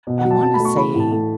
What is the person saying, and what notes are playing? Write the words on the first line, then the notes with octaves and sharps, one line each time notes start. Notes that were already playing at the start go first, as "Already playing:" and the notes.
I wanna say
B2
F#5
F#3
A5
F#3 A5
B5
A3
C#6
E3 B5
A2
A5
A3 A5